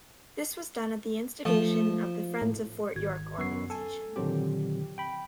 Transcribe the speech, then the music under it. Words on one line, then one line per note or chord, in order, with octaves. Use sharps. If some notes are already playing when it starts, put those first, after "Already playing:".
This was done at the instigation of the "Friends of Fort York" organization.
F3 A3
A2
G#1 F#4 G#6
F#2 B3 C#6 E6 C7
A4 G#5
A#2 D3 D#3 F#3 C4 G4
G5 B5